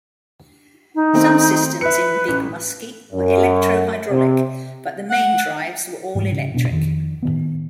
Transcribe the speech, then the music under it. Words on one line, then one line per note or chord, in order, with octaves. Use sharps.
Some systems in Big Muskie were electro-hydraulic, but the main drives were all electric.
D#4
D#3 A3 C4
B4 E5 C#7
A1
F#2
C3
F#5
G#2 E3 G3 G#3
C#3
D#1 B2 D4
F2 D#3
A2 D#3 B3